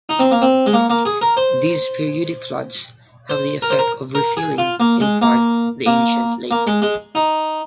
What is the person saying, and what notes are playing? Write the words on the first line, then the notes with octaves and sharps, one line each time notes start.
These periodic floods have the effect of refilling, in part, the ancient lake.
D#4
C4
A#3
C4
G#3
A#3
A#3
G#4
A#4
C5
C5
A#4
C5
A#4
A#4
G#4
F4
A#3
G#3
A#3
A#3
A#3
G#3
G#3
D#4